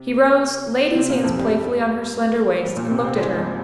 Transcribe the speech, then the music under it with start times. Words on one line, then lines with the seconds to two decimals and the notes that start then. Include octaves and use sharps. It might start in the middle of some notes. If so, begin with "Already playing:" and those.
He rose, laid his hands playfully on her slender waist, and looked at her.
Already playing: C3
0.95 C3 C4
1.09 A#2 A#3
1.23 F2 F3
1.37 G2 G3
2.63 G2 G3
2.77 A#2 A#3
2.90 C3 C4
3.04 C3 C4
3.19 G#2 G#3
3.37 G2 G3